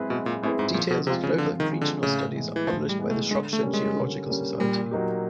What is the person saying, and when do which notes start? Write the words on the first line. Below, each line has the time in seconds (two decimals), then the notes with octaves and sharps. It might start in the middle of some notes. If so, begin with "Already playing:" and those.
Details of local and regional studies are published by the Shropshire Geological Society.
Already playing: G#3 C4 E4 G#4 B4
0.10 B2 G#3
0.26 A#2
0.43 A2 C4 E4 G#4 B4
0.59 G#2
0.74 A#2 F3
0.91 B2
1.07 C3 G#3 C4 F4
1.23 C#3
1.38 D3 F3
1.60 D#3
1.71 G#3 C4 F4
1.81 D3
2.03 A2 C#3
2.35 E3 G#3 B3
2.56 E3
2.67 A2 F3
2.89 G3
2.99 E3 G#3 B3
3.10 A3
3.31 D3 G#3
3.53 A3
3.63 G3 A#3 C#4
3.74 G#3
3.95 D3
4.27 G3 A#3 C#4
4.60 A#2 G3
4.91 F#3 A#3 D#4 G4